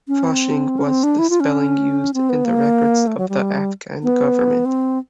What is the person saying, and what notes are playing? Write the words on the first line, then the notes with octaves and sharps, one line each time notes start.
Fushing was the spelling used in the records of the Afghan government.
C#4
C4
C#4
C4
D4
E4
F4
C#4
C4
B3
A#3
A3
F#3
G3
B3
C4